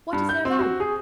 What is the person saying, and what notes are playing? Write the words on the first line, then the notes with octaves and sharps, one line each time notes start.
"What is their value?"
G2
G6
C4
F#4
G#4